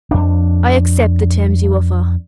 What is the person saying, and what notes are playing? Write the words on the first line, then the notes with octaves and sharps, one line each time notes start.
I accept the terms you offer.
F2 D4